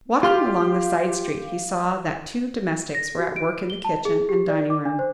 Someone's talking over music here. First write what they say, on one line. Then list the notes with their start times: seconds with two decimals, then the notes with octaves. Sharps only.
Walking along the side street he saw that two domestics were at work in the kitchen and dining room.
0.23 F4 G4 F5 C6 F6
2.95 A#6
3.18 F#4
3.36 D7
3.70 G7
3.85 A5
4.05 G#4
4.29 G4
4.48 D5
4.70 D6
4.85 D4
4.99 C5